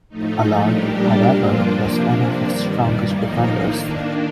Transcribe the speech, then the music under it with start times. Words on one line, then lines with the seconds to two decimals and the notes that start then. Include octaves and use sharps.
Allard, however, was one of its strongest defenders.
0.09 A2 F3 A3 D#4
0.68 A#2 G3 A#3 D4 G4
1.26 G2 F3 A#3 D4 F4
1.85 C3 F3 A#3 D4
2.45 G2 D#3 G3
3.03 A2 F3 A#3 D#4
3.62 D#3 A#3 D4